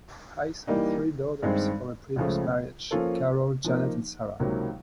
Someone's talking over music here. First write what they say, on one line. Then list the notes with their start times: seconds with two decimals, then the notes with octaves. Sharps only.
Hays has three daughters from a previous marriage: Carol, Janet and Sarah.
0.67 E3 G3 A#3 D#4
1.42 G2 D#3 G#3 C4
2.16 C#2 C#3 F3 A3
2.91 F3 A#3 C#4 F4 A4
3.64 F3 A#3 D#4
4.39 C#2 C3 D#3 F#3 A#3